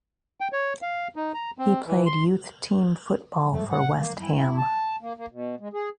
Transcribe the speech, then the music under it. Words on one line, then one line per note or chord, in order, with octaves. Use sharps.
He played youth team football for West Ham.
G5
C#5
F5
D#4
A#5
C4
E3
C6
A3
F#5
A#3
E4
E4
A5
A#3
A#3
B2
G#3
G#4